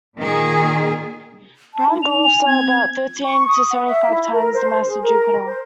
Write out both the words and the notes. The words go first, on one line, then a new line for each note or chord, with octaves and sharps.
Brown dwarfs are about thirteen to seventy-five times the mass of Jupiter.
A#2 D#3 A#3 G#4
A5
D#4
F7
G#5
C4 G#6
C#6
D#6
F#5
E5
E4
A#4
C5
G#4
A#4
C5